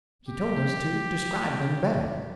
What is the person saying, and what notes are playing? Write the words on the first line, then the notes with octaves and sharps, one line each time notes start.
He told us to describe them better.
G4